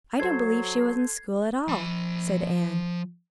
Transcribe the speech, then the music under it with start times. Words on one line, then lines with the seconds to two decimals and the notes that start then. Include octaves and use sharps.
"I don't believe she was in school at all," said Anne.
0.19 F#3 A4 C5 G#6 C7
1.68 F3 B5